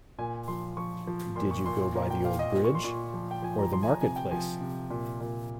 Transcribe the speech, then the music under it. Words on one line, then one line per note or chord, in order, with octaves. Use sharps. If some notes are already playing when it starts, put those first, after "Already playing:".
Did you go by the old bridge, or the market-place?
A#2 G#5
F3 C6
F3 C#6
F3
A#2 C6
C#6
A#2 C6
C6
A#2 A#5
G5
A#2 F5
D#5
A#2
C#6
C6
A#2 C#6
F3
G5
F3 G#5
A#5
F3 C6
G#5
A#5
C3 G#5
G5
F3 G#5
C3
A#2
A#2